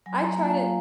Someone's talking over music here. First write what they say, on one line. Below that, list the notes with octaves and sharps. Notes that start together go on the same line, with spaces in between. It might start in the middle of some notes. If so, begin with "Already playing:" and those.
I tried it
F#3 G#5
A#5
A#3 F4 G#5
F5